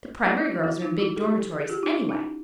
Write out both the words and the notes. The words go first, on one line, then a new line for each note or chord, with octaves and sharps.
The primary girls are in big dormitories, anyway.
D4 E4
D4 E4
E4 F#4
E4 F#4
D#4 F4
E4 F#4
G4 A4
G#4
F4 G4
D#4 F4
D4 E4
C#4 D#4